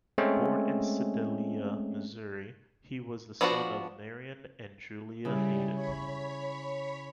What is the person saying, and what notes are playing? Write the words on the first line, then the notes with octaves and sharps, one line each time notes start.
Born in Sedalia, Missouri, he was the son of Marion and Julia Hayden.
G#3 A3 C4 C#4
F3 B3 D4 F4 F#4
C#3 G3 E4
C#5 B5